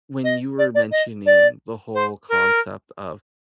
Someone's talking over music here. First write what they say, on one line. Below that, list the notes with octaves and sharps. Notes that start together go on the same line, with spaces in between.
when you were mentioning the whole concept of,
D#5
D5
D5
D#5
D5
C5
A#4